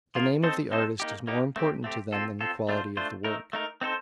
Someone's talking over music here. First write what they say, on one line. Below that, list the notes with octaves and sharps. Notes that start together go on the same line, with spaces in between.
The name of the artist is more important to them than the quality of the work.
F3 A#3 F4 A#4
C4 D#4 A4 C5
C4 D#4 A4 C5
A#3 D#4 G4
A#3 D#4 G4
A3 C4 G4
A3 C4 G4
C4 F4 A4
C4 F4 A4
A3 D4 F4 C5
A3 D4 F4 C5
A3 D#4 A#4
A3 D#4 A#4
C4 D#4 A4 C5